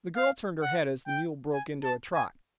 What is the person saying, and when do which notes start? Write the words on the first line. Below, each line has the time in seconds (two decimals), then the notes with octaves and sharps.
The girl turned her head as the mule broke into a trot.
0.16 F5
0.62 F#5
1.07 G5
1.53 G#5
1.84 A5
2.14 G#5